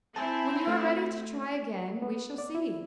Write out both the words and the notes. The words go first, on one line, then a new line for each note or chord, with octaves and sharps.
"When you are ready to try again, we shall see."
C4 E4 G#5 A5
A3
B3
D5
E4